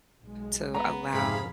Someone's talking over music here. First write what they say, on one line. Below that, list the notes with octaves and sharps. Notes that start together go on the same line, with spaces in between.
to allow,
B1 G#3
B3 A#5
F2 G#2 B2 B3 G#4 F5 B5